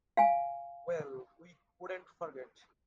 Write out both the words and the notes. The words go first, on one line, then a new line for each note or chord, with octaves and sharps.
Well, we couldn't forget.
F5 G#5